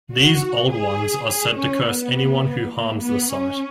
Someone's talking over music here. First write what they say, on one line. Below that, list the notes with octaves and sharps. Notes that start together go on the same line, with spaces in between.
These "Old Ones" are said to curse anyone who harms the site.
F#4
G#4
G#4
C#4
B3
A#3
B3
C#4